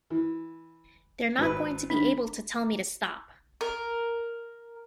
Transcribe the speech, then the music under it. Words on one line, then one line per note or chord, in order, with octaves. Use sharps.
They're not going to be able to tell me to stop.
E3
G#1 B4
D#3 D4
A#4